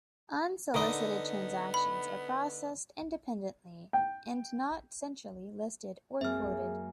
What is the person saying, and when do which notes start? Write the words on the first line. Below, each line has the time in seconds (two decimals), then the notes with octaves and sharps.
Unsolicited transactions are processed independently and not centrally listed or quoted.
0.74 D3 B3 D#4 A#4 B4 D#5
1.74 B5
3.93 G5
6.21 F#2 G#3 A#3 C4 G#4 E5 F6